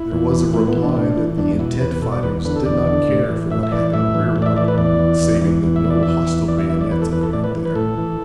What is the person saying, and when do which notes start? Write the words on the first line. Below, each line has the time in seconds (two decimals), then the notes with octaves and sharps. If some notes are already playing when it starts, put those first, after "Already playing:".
There was a reply that the intent fighters did not care for what happened rearward saving that no hostile bayonets appeared there.
Already playing: E4
0.11 E2
0.32 E3
0.53 A2 E4
0.67 B3
0.75 E3
0.82 D4
0.89 B3
0.96 A2 D4
1.18 E3
1.38 E2 D4
1.59 B2 E4
1.80 E2 B4
1.91 B4
2.02 B2 A4
2.12 D5
2.23 E2 B4
2.45 D3 B4
2.56 A4
2.65 E2 D5
2.87 D3
3.08 A2
3.29 E3
3.50 A2 E5
3.63 E5
3.72 E3 D5
3.93 A2 E5
4.15 E3
4.36 A2
4.42 D5
4.46 E5
4.56 E3 D5
4.68 B4
4.78 E2 D5
4.99 E3
5.20 E2
5.42 E3
5.63 E2
5.76 E5
5.85 E3
5.90 D5
6.03 E2 E5
6.27 E3
6.48 E2 D5
6.59 E5
6.69 E3 E5
6.81 D5
6.91 E2 B4
7.02 A4
7.12 E3 B4
7.23 A4
7.33 A2 D5
7.44 B4
7.55 E3
7.65 B4
7.75 A2 A4
7.98 E3